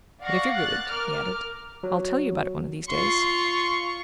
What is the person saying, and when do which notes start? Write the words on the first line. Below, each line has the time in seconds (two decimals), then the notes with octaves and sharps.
"But if you're good," he added, "I'll tell you about it one of these days."
0.23 D5 F5 F#5 C#6 A#6
0.57 F#6 A6
0.89 A#4 D6 F6
1.83 F#3
2.88 F4 C6 C#6